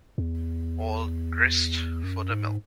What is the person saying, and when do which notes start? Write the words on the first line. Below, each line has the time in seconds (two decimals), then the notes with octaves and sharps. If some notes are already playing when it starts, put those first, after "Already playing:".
All grist for the mill.
0.18 E2
2.03 F#2
2.30 G#2